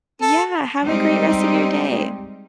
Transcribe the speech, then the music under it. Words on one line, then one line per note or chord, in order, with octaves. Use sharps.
Yeah, have a great rest of your day.
A4
G3 G#3 C4 D#4 G4